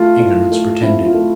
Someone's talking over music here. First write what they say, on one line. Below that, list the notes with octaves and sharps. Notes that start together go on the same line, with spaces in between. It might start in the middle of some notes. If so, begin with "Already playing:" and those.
Ignorance pretended.
Already playing: A3 F4
E4
A3
C4 E4
F4
A3